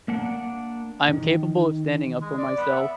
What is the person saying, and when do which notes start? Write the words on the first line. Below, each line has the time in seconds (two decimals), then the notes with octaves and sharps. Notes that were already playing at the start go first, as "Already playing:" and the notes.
I'm capable of standing up for myself
0.08 A#3 D4 F#5
1.09 D#3
2.21 G#3
2.38 D5
2.57 B3
2.75 E5